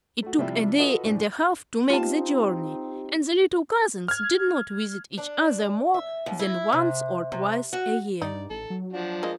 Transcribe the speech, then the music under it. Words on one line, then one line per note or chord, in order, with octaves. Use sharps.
It took a day and a half to make the journey, and the little cousins did not visit each other more than once or twice a year.
A3 F#4
C3 F3 G3 E4 E5 G5
F4 F#4 A4 B4 D#5 D#6
C2 A2 D4
C4 D#4 F4 G4 A5
F6 G#6
D4
E5
D#2
E4
C3
C3
F#4
G2 D#4 D5
A1 A4
F#3
F3 D4 F#4
G#3 A#3 D#5